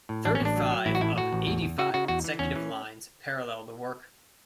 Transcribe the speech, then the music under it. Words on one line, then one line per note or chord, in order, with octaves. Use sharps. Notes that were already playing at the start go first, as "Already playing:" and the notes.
Thirty-five of eighty-five consecutive lines parallel the work.
A2
A1 D4
C#4
A1
D4
F#3
F#3
A1 E4
F#4
A2 E4
A2 F#4
A1
E2
E2
C#3 F#4
C#3 F#4
E2 F#4
E3
E2 C#4
E3